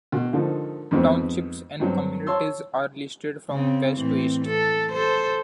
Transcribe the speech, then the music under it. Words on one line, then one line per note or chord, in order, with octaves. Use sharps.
Townships and communities are listed from west to east.
B2
G#2 D3 D#3 F3
F2 G#2 B3 C4
G2 F#3 C4
C#5 A5 C6 E6
C#3 C4
A2 E3 C4
A4
A4 C5